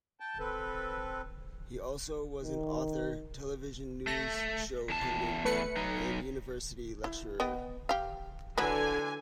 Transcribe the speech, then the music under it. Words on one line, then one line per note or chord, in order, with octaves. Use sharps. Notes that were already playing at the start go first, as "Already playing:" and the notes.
He also was an author, television news show pundit, and university lecturer.
G5 A5
C4 A4 B4
D#3
A3 A#6
E2 A5
A3 B4 C#7
F#3 D#4
E4
B3 D#5 G5
G4 F5
D3 E3 F#3 B4 G#5